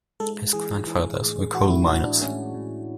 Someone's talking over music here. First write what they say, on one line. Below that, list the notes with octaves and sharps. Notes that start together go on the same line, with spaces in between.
His grandfathers were coal miners.
G#3 A4
E3 G#4
E3
A2
E3 F#4
E4
A2 F#4
D4
A2 C#4
A2